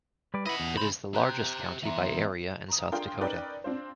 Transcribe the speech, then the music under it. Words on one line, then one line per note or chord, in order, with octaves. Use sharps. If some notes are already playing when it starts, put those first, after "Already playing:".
It is the largest county by area in South Dakota.
G3 B4 D5
E4 B4 D#5 F#5
E2
C#3 C5 B5
G4 C5 A#5 F#6 G6
E3 B3 E5 A#5 C6
A#5 D#6
D4 F4 G#4 A#4 G5 C6
C#4 D#4 A#4 B4 D5 G5
C4 D4 F4 C5